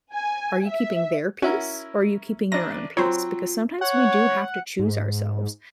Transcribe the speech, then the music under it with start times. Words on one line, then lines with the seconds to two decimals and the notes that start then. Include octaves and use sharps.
Are you keeping their peace or are you keeping your own peace? Because sometimes we do have to choose ourselves.
0.13 G#5
0.68 E5
1.42 C#4 E4 F#4 A#4
2.52 A1 D4 A#6
2.97 F#3 C4 F4 C5 C#5
3.81 C#5 F#5
4.79 G#2